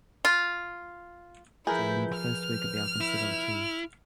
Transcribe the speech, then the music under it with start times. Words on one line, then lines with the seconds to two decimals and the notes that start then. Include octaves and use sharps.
During the first week of the offensive Lt.
0.25 F4
1.67 F3 E4 G#4 A#4 B4 G6
2.15 F6
3.00 E4